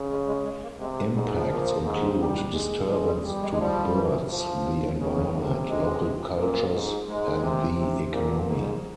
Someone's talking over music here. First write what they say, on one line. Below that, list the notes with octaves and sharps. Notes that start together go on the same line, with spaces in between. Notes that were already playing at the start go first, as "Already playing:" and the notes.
Impacts include disturbance to birds, the environment, local cultures and the economy.
Already playing: C#3
G#3
G#3
G#3
A#3
C3 G#3
G#3
G#2 G3
F3
A#2
G#2
G3
G#3
F3 G#3
G3
G3
G#3
G#3
F3 G3
E3
F3
C#3 G#3
A#3
C3 G#3
A#3
G#3
A#2
G#2
G#2 G#3
C3
C3
A#2
G#2 A#3
G3
G#3